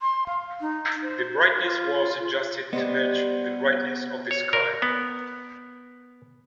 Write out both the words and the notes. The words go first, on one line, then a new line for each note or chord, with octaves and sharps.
The brightness was adjusted to match the brightness of the sky.
C6
F5
D#4
C5
F4
G3 B3 C5 D#5
C#5
A#4
B3